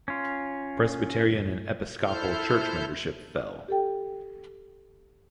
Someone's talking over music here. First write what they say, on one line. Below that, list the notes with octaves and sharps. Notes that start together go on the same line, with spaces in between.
Presbyterian and Episcopal church membership fell.
C#4 F4
E4 A4 C5 F6 G6
G4 A4 G5